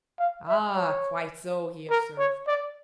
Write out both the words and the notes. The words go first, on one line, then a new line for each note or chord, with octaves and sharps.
"Ah, quite so!" he observed.
F5
E5
C#5
A#4
C#5
D5